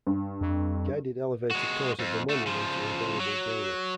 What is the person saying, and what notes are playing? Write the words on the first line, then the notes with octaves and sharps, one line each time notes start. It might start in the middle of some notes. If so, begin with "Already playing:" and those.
Guided elevator tours of the monument are available daily.
G2
F2
G#3 F#4
F2
A3 F#4
C#3 F3
F#3